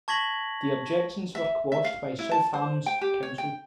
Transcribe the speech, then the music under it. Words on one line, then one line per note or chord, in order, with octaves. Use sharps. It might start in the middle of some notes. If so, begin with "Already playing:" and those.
The objections were quashed by South Hams council.
A5 C#6 G#6 A#6 B6 F#7
E5
E5
F5
E4
A5
C5
G5
G4
C#5
G5